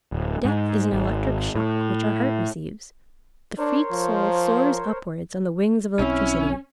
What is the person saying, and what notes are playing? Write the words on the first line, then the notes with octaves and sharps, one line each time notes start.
Death is an electric shock which our heart receives; the freed soul soars upwards on the wings of electricity.
D1
G#2
G#1
A2
D4 A#4 C5 C#5
F3
B1 C4 C#4 E4